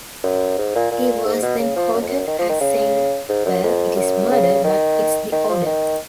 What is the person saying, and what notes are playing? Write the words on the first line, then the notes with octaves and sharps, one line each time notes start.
He was then quoted as saying Well, it is murder, but it's the order.
F#2
G#2
A#2
A#2
G#2
B2
C#3
F3
F#2
F2
F#2
D#3
F3
D#3
C#3
G#2
F#2
F2
F#2
C#3
D#3
D#3
F3
D#3